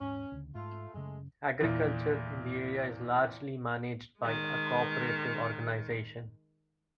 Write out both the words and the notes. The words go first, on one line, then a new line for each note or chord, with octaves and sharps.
Agriculture in the area is largely managed by a cooperative organization.
D#1 G#2 C#4
D2 C#3
G#2 A3 F4
F#2 C#3 G#3 A3
E2 A#2
D#3 G#3